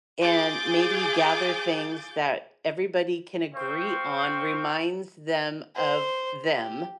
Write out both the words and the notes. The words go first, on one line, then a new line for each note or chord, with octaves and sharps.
and maybe gather things that everybody can agree on reminds them of them.
F4 G#4 G#5 D6 G6 A6
C4 C5 F5 G5 C#6
C5
G4